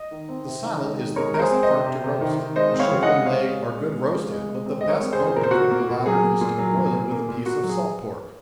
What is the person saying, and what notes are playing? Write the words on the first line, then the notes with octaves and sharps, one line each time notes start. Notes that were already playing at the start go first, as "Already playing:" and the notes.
The saddle is the best part to roast--the shoulder and leg are good roasted; but the best mode to cook the latter, is to boil it with a piece of salt pork.
Already playing: D#5
D#3
C4
C3
D#3
G#3
D#3
G#3 A#4 C#5
G#3 A#4
G#4 C5
C4
C5 D#5
C3
C3
C3
D#3
D#3
G#3 C5 D#5
C4
C#5 F5
C#3
D#5 F#5
G#3
G#3 C#5 F5
G#3
G#3
G#3
G#3
C#3
G#3
G#3
C4
G#3 D#5
A#4 C#5
C4
G#4 C5
C#3
A#2 A#4
C5
A#2 F#4 A#4
A#3
A#2
F#3 G#4
A#3
A#2
F#3
A#2
A#2
A#3
A#2
A#2 F#4
F#3
G#4